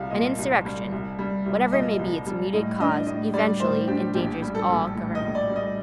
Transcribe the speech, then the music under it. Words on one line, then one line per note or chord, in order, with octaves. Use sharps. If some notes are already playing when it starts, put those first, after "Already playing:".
An insurrection, whatever may be its immediate cause, eventually endangers all government.
Already playing: C2 G3 F5
A#2 D#5
C2
G3
C2
G3
C2
A#2 D#5
C2
G3
A2 D#5
D4 D#5
A2 D#5
G3 D5
A2 C5
D4 G4
A#1 G4
G3
A4
A#1
A2
D#5
A#1
D5
G3
D#5